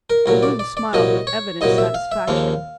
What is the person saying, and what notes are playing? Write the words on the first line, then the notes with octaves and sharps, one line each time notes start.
O'Roon smiled with evident satisfaction.
A#4
C2 A#2 F#3 A#4
D5
D5
D5
C2 A#2 F#3 D#5
C#5
C2 A#2 F#3 D#5
E5
F5
E5
D#2 C#3 F3 A#3 F5